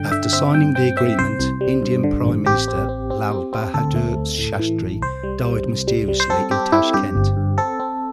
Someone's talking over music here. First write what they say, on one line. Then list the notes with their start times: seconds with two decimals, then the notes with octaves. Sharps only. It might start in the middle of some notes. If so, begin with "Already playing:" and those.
After signing the agreement, Indian Prime Minister Lal Bahadur Shastri died mysteriously in Tashkent.
Already playing: G2 D3 G5
0.12 D3 E5
0.33 C4 E5
0.54 G2 G5
0.75 C4 G5
0.97 C4 E5
1.19 C2 C5
1.39 C2
1.61 G3
1.83 G2
2.04 D3
2.25 A1
2.46 C4 G4
2.68 C4
2.89 C4
3.10 C4
3.31 C4
3.53 C4
3.74 D2 A4
3.96 A3
4.17 D2
4.38 A2
4.59 E3
4.81 A1
5.02 C2 C5
5.23 G3
5.44 G3
5.66 C2
5.88 G3
6.08 G3
6.20 C5
6.30 C4 A4
6.51 C4 G4
6.72 C4 E4
6.94 G2 G4
7.15 G1
7.36 G2
7.58 C4 A4
7.80 C4